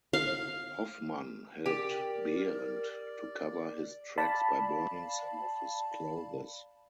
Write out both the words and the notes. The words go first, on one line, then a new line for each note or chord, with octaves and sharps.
Hoffmann helped Behrendt to cover his tracks by burning some of his clothes.
F5
G4 A#4 D5
D5 F5 A5 B5